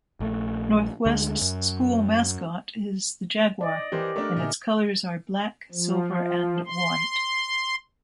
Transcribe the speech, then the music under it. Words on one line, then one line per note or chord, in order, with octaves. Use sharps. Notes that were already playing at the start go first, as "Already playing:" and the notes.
Northwest's school mascot is the jaguar and its colors are black, silver and white.
A#1 A3
D2 D3 G#3
F#2
D5 D#5
E3 G4 A#4 C5
A3 D4 A#4
A#2 D3 D#4 E5 G#5
F3
C6